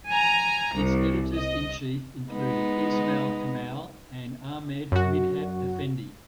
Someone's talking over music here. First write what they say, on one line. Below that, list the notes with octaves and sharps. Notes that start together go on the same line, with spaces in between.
Its editors in chief included Ismail Kemal and Ahmed Midhat Efendi.
G#5 A#5
C2
D#5
G#3 B3 D#4
F#2 F#4